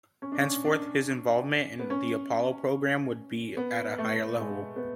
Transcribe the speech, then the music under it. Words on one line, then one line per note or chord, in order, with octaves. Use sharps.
Henceforth his involvement in the Apollo program would be at a higher level.
C#4
D4
C#4
D4
B3
C#4
B3
A3
G#3
B3